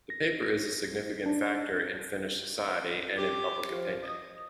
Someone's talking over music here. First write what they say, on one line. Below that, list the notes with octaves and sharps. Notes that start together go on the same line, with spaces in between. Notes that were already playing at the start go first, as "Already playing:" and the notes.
The paper is a significant factor in Finnish society and in public opinion.
A#6
D4
G4
F3
D#5